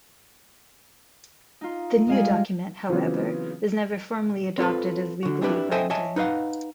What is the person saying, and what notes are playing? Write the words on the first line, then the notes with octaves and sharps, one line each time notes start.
The new document, however, was never formally adopted as legally binding.
D#4 F4
G3 G#3 D#5 F5 G#5
C#3 E3 F#3 B3 C4 F4
C4 F4 A4 B4
D3 F#4
C4 D4 E4 G4 B4 D5
A4 C5 D#5 E5 G5 G#5
C#5 D#5 E5 G#5 A5
D#4 B4 D#5 F5 F#5